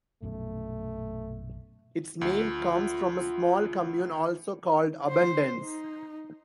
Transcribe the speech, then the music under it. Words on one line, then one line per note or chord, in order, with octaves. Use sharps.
Its name comes from a small commune also called Abondance.
A#1 F#2 B2 A3
D2 F4
C5
D#4